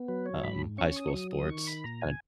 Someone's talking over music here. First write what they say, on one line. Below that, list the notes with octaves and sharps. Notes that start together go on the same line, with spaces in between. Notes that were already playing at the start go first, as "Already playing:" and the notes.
um, high school sports and
Already playing: B3
F#3 B4
C#5
G#2 B5
C#4 C#6
D#6
C#6
F#3 D#6
D#6
D#3 C#6
B5
A#2 A#5
G#5